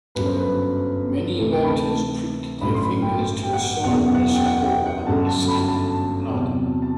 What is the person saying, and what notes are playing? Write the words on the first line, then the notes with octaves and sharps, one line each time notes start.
Many voters pricked their fingers to sign their support for Assad in blood.
G1 F#2 F#3 B4
C5
B4
D2 C3 E3 A4
G5
B5
A5
A1 G2 D3 F#3 B5
C6
B5
G5
G5
F#5
F#1 E2 B2 F#3 F#5
F#5
G5
F#5
G5
F#5
G1 F#2 D3 F#3 A5
A5
B5
A5
E2 C3 F#3
A5